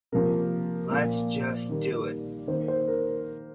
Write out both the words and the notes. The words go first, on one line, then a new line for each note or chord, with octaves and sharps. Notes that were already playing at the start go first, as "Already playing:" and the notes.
Let's just do it.
C3 F3 A#3 A#4
A#2 F3 A#3
D#3 G3 A#3
D#3 A#3 C5
C5
A#4